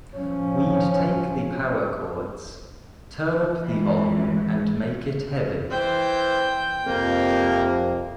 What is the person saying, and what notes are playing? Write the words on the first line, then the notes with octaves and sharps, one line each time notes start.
We'd take the power chords, turn up the volume and make it heavy.
F3 C#4
E3 G#3
E3 C5 G5
F2 C3 A#3